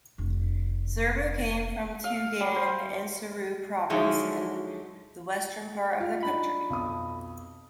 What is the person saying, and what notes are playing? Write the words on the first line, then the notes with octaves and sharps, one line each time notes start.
Zerbo came from Tougan in Sourou Province in the western part of the country.
F1 D3
F5
G3
C5
D3 F3 F#3 G#3 D#4 E4
F4 F5
D4 D#4 B5
B1 F2 D#6